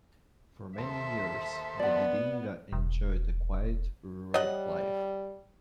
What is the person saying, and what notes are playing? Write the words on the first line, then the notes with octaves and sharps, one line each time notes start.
For many years, the Didinga enjoyed a quiet, rural life.
D#2 A4 C5 E5
B3 D5 F#5
E1
G3 C#5 D#5 F#5